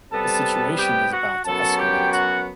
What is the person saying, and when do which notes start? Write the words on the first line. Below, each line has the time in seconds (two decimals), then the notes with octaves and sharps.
The situation is about to escalate.
0.11 C3 G3 B3 A4 A5
0.78 G4 G5
1.11 F#4 F#5
1.44 F#2 F#3 B3 A4 A5
1.78 G4 G5
2.11 F#4 F#5